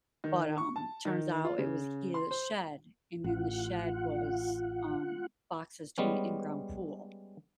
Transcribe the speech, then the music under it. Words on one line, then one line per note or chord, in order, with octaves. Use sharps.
but, um, turns out it was a key to the shed and in the shed was, um, boxes to an in ground pool.
D#3
C#6
A5
D#3
F4
C#3
C6
C5
A1 F4 F#5
G3 G#3 B3 C#4